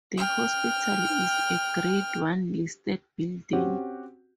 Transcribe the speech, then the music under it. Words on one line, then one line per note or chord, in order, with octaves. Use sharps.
The hospital is a grade one listed building.
G5 F6
C4 C#4 F#4 G4